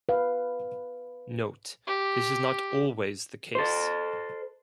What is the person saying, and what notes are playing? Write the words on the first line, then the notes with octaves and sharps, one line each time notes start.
Note this is not always the case.
B4 F5
G4
A4 C5